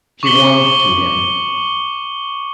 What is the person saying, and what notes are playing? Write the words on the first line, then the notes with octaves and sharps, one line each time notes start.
She warmed to him.
C#6 D6 C#7 F#7 G7